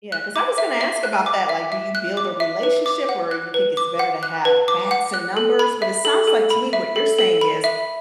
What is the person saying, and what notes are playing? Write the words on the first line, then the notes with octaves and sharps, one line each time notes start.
yeah, 'cause I was gonna ask about that, like, do you build a relationship, or you think it's better to have facts and numbers, but it sounds like to me, what you're saying is,
F#6
D6
E5
E5
F#6
D6
E5
E5
F#6
D6
E5
B4
D6
F#5
F#6
B4
D6
F#5
F#6
B4
D6
F#5
F#6
A4
B5
E5
A4
A4
B5
E5
A4
A4
B5
E5